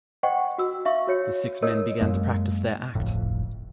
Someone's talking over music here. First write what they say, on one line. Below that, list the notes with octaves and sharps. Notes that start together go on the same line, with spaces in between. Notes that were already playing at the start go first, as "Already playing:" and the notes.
The six men begin to practice their act.
C5 D#5 F#5 G5 C#6
F#4 E6
E5 F5 C#6
F#4 C#5 C#7
A#4 C#5 D#5 E6
F#2 G#3 A#3
D1 G1 F2 A2